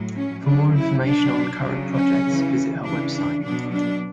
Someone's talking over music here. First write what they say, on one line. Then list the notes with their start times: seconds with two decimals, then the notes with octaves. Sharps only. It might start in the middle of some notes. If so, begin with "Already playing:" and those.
For more information on current projects visit her website.
Already playing: A2 F#3
0.16 C#4
0.45 C#3 F#3 D4
0.74 E4
1.04 B2 F#3 D4
1.64 C#3 F#3
1.93 C#4
2.24 C#3 E3
2.83 C#3 E3 D4
3.14 D4
3.43 B2 F#3 D4
3.73 D4